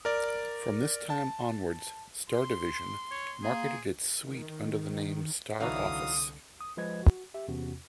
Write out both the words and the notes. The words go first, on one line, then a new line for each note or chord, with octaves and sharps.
From this time onwards StarDivision marketed its suite under the name StarOffice.
A#4 D5
A5
C6
C#5
A#3 G#4
D#3
C2 D3 E3 F#3 D#4 F5 D#6
D#6
F3 G#3 B4 D#5 G#6
F#4
G4 E5
E2 C3 C#4 F#4